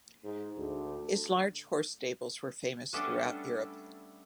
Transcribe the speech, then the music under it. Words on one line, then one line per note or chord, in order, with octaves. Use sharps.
His large horse stables were famous throughout Europe.
G#2
D2
G3 A3 B3 C#4 D4 A4